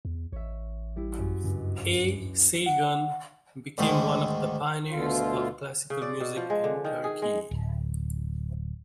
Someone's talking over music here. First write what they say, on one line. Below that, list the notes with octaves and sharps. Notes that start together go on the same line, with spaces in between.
A. Saygun became one of the pioneers of classical music in Turkey.
E2
A1 C#5 E5
G3 E4
F#2
C#2 G2
F#5
D2 G#2 D3 D#3
D2 B2 D3 F4
C#3
D5
B2
F3
G#3
D3
D#3
G#4
G#3
D1